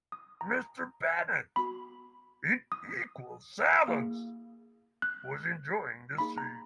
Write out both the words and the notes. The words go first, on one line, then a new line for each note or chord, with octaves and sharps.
Mr. Bennet, in equal silence, was enjoying the scene.
D#6
A#5
B3 F#4 B5
D#6
A#3 E4 G#4
F#6
A#3 D#4 G#4 B5
A#5